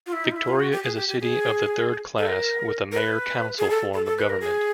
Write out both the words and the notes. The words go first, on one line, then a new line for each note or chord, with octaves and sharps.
Victoria is a city of the third class with a mayor-council form of government.
F4
E4
D#4
F4
E4
F4
F#4
G4
G#4
G4
G4
G#4
A4
A#4
A#4
B4
G#4
A4
A4
A4
B4
A#4
G#4